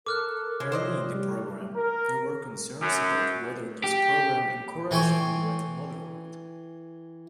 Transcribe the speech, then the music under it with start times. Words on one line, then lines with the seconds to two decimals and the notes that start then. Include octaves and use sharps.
Early in the program, there were concerns about whether this program encouraged unwed motherhood.
0.06 A4 A#4 D6 F6 F#6
0.60 C3 G#3 C#5
0.72 C5 D5 D#5
1.11 G3
1.76 A#4
2.81 F#2
3.84 G4
4.91 E3 A4 G5 G#5 C6 C#6